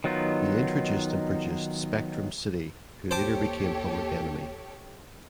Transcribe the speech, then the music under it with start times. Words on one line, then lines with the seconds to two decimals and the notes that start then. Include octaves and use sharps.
He introduced and produced Spectrum City who later became Public Enemy.
0.04 D#3 F#3 B3 D#4 F4
3.11 D#2 G4 A4 C5 C#5 A5 D6